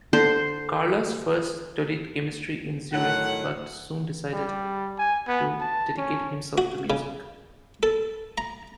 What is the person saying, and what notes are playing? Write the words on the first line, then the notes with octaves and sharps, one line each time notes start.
Carlos first studied chemistry in Zurich, but soon decided to dedicate himself to music.
D3 C5
A2 D#3 F#3 F#5
G3
G#5
B3
A5
C#4
F#4
C#3
A4
A#5